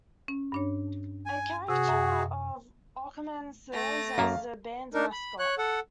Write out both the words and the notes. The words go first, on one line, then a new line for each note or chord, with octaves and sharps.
A caricature of Aukerman serves as the band's mascot.
C#4
G2 D4 C#5
G#5
C3 F#4 G#4
F#2 E5 F#5
A3 A#6
F#2 A#3 E5 F5
D4 D#4 A#4
B5
C#5 F#6
A4 F#5